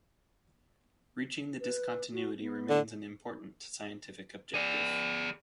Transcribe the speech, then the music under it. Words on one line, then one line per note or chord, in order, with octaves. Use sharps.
Reaching the discontinuity remains an important scientific objective.
B4
F#4
B3
D3
G#4 D5